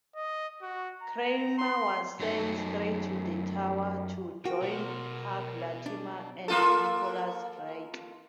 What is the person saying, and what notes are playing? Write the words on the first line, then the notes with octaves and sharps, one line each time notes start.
Cranmer was sent straight to the Tower to join Hugh Latimer and Nicholas Ridley.
D#5
F#4
A#5
C6
F#2 F#3 D#4 A4
F#4 A#4 G5
B2 C6
D4
A#3 F4 A4